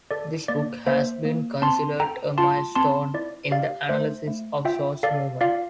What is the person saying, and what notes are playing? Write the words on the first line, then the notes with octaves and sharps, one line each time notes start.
This book has been considered a milestone in the analysis of social movements.
A4 D5
A#3 D5
A#3 C5 E5
A#3
C4 A5 C6
A4 G5 A#5
F4 A5 C6
C4 A5 C6
E4 D5
G4 D5 F5
A3 C5 E5
A3
F4 E5 G5
A4 D5 F5
F4 D5 F5